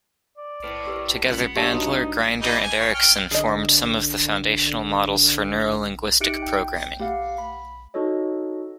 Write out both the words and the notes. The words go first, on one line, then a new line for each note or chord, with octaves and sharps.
Together Bandler, Grinder, and Erickson formed some of the foundational models for Neuro-linguistic programming.
D5
A2 B4
G4 A#4 B4
C#2 B3
G2 A3 G4 C#5 A5
D#4 F#4
E3 G3 D#4
G#5
C#5
G5 F6
D3 G#4 D#5
D#4 G4 E5 F#6 C#7 D7
G5
A3 G4 F5 F#5
B5
D#4 F#4 A4 C#5 D#5